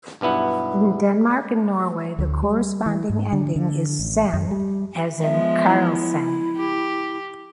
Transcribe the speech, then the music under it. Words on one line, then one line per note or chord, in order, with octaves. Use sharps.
In Denmark and Norway, the corresponding ending is "-sen", as in "Karlsen".
B1 G2 B3 E4 F#5
D2
G3
E3
G#2
D3
D3
A1
F#2
G3
F3 G#3 B3 E5
E4
G4